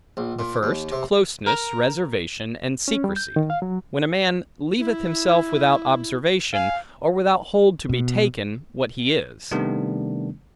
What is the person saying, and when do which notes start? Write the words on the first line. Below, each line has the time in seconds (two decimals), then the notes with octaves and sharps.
The first, closeness, reservation, and secrecy; when a man leaveth himself without observation, or without hold to be taken, what he is.
0.17 A#1
0.39 A#2
0.63 D#2
0.92 C3
1.46 A#4
2.88 C#4
3.04 G3
3.16 G6
3.36 D#3
3.50 F5
3.62 F#3
4.78 E4
6.53 F5 G#5
7.89 B2
9.51 C3 D#3 G3 A3 B3 D4